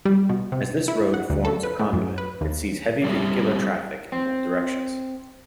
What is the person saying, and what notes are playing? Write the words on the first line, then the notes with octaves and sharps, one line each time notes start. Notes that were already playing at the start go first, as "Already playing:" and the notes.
As this road forms a conduit, it sees heavy vehicular traffic in both directions.
G3
B2
C3
E4
F#5
D2
A4
B4
A2
F#2
B4
D#2
G3 C4 C#4 D#4 G4 E5
C4